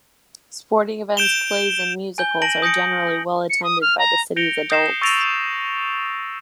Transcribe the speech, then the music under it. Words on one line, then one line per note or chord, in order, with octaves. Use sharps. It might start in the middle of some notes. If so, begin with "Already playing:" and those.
Sporting events, plays and musicals are generally well attended by the city's adults.
G6 D7 E7 F7 G7
G#5 G6 G7
A5 A#6 D7 F#7
D#6 G6 A#6 C#7 D7
C#7
D#6
F6
A#5
G6 A#6 C#7 D7 F7 G7
D#6 G6 A#6 C7 E7
C#6 E6 A6 A#6 D7 F7